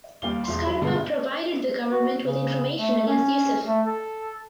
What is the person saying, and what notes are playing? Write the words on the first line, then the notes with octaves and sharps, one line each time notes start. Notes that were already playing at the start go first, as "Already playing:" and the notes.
Scarpa provided the government with information against Yousef.
D#2 G3 F5 G7
E1 C6
F#3
G2 B2 D3 G#3 B3 F4
F#4
C#3
A3
C#4
A3
A4